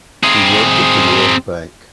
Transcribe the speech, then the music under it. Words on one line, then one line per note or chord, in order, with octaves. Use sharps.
She worked at the World Bank.
C4 G#4